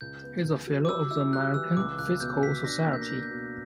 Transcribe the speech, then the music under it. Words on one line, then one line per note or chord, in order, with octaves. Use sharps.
He is a Fellow of the American Physical Society.
C#2 G6
B3
C#2
F#3
D6
G3 E6
E4 E6
G3 F#6
E3 E6
C#2 D6
C#2 F#6
B2 G6
B2 B6
D4 A#6
A#3
G6
A#6
B2 G6
G6
B2